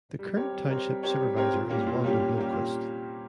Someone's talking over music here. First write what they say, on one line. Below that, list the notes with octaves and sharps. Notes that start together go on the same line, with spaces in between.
The current Township Supervisor is Wanda Bloomquist.
G3
C4 G4 A#4 C#5
G3
C4 G4 A#4 C#5
G3
C4 G4 A#4 C#5
G3
C4 G4 A#4 C#5
A#2
G3 A#3 C#4 G4
A#2
G3 A#3 C#4 G4
A#2
G3 A#3 C#4 G4
A#2